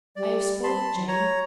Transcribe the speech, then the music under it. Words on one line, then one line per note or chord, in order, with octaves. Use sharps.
I have spoiled Jane.
G3 D5
A5 B5 C6
F#3
C#5 A#5